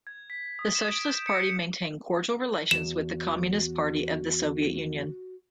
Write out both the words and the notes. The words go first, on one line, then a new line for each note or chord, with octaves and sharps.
The Socialist Party maintained cordial relations with the Communist Party of the Soviet Union.
G#6
B6
D#6
E7
D7
G6
C#7
E2 F#4 E7